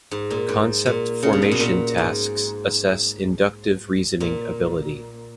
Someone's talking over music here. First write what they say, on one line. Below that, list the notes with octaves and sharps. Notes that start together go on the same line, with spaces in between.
Concept Formation tasks assess inductive reasoning ability.
G#2
A#2
G#2
A#2
C#3
B2
A#2
B2
A#2
G#2
A#2